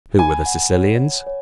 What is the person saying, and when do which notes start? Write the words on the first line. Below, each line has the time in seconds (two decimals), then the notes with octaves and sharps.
Who were the Sicilians?
0.19 G#5 B5
0.46 F#5
0.73 C#5
0.99 F#5
1.27 C#5